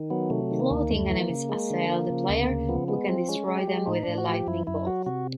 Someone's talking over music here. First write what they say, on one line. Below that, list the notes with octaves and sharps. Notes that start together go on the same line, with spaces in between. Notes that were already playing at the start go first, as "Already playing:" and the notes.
Floating enemies assail the player, who can destroy them with a lightning bolt.
Already playing: D#3
F#3 B3
C3 A3
D#3
A#3
D2
F#2 A3
E3
A#3
C#3
G#3
D3
F3
C#3
D2
C#3
F3 B3
G#3 B3
F3 C4
G#3 C#4
G#3
G4
G#3
A2 D#4
A2 D4
F#4
F3 G4
F#2 E4
F#2 E4
F#3 F#4
C3 F#4